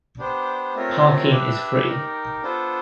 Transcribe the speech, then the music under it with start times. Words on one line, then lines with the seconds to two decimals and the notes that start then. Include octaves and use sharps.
Parking is free.
0.19 B3 D4 G4 C5
0.74 A3 C4 F4 A#4 C#5
1.31 D4 G4 B4 E5
1.87 D#4 G4 A#4
2.43 B3 D4 F4 A4 C5